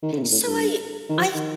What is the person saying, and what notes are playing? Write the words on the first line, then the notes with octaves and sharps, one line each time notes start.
so, I I
D#3
D3
C3
A#2
A2
G2
D#3
F3
D#3